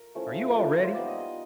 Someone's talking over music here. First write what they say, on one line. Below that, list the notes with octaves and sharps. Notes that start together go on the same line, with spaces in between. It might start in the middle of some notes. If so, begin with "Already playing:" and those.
Are you all ready?
Already playing: A#4
F3 A3 C#4 E4
A#3 D4 F4 A4
A#4
B4
C5
G3 B3 D#4 D5
D#5
D#5